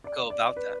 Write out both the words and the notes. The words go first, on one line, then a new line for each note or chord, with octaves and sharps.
go about that.
D5
D5
B4